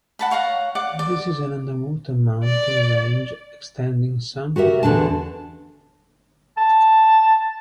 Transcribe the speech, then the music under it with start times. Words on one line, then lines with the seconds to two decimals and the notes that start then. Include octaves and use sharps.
This is an underwater mountain range extending some to the north.
0.19 F#5 A5 B5
0.31 C#5 F5 F#5 A#5
0.75 D5 F#5 D6
0.99 D5
2.44 D5
4.56 F#4 G4 A#4 E5
4.83 E2 D3 D4 A5
6.57 A5